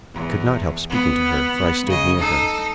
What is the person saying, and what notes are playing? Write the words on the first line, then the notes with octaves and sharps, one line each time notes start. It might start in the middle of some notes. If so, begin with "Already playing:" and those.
I could not help speaking to her, for I stood near her.
E2
B3
C#3 D#5
D#4 A4